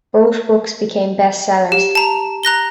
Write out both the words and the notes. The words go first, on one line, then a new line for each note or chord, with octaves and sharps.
Both books became best sellers.
G4
A5 A#5
A#5 F#6 A#6 G7